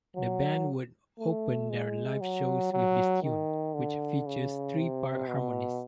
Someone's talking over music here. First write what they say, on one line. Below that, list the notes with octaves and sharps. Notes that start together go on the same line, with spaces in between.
The band would open their live shows with this tune, which features three-part harmonies.
F#3
A3
G#3
F#3
F#3
D#3
D3
C#3
C3
B2